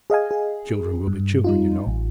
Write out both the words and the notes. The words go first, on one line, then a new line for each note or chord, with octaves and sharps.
Children will be children, you know.
G#4 D#5 F5 G#5
G#4
G2
G3 D#4 F4
A1